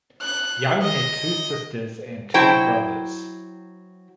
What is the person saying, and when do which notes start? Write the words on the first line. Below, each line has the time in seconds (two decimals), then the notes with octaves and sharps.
Young had two sisters and two brothers.
0.22 F#6
0.82 D#5
2.34 F#3 E4 C5 G5